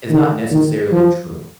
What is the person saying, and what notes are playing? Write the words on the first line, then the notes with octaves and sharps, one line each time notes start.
is not necessarily true.
D#3
D#3
F3